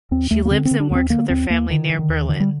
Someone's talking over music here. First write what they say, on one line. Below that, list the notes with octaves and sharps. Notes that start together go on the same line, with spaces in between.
She lives and works with her family near Berlin.
D#2 C4
D#2 A3
A#3
D3 C4
C4
D3
D4
D#2 A#3 C4
D3 A#3
D#2 C4
D#2 A#3
D3 D#3
D3
D#3
D#2
D3 D#3
G3